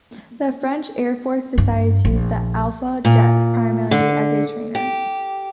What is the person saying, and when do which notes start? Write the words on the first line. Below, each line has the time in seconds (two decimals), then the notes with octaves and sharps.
The French Air Force decided to use the Alpha Jet primarily as a trainer.
1.58 G2
2.05 A#1
3.05 A#2
3.91 D3
4.75 G4